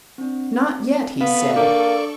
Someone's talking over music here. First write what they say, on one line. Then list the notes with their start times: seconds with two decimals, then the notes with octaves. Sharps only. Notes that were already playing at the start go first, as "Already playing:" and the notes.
"Not yet," he said.
0.18 C4 D4
1.21 B3 A4 F5 C#6
1.56 A#3 D4 D5